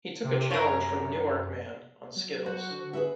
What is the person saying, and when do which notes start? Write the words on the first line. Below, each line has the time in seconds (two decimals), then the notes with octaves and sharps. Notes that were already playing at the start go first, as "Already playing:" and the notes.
He took a challenge from a Newark man, on skittles.
0.24 C3
0.50 F#2 A#4 C#5
2.16 F#3
2.46 F#4 C5
2.70 D3
2.93 G#4 B4 E5